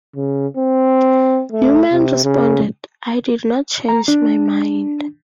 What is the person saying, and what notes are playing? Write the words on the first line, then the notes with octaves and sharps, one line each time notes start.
Neumann responded: I did not change my mind.
C#3
C4
A3
C3
C#3
A#5
D4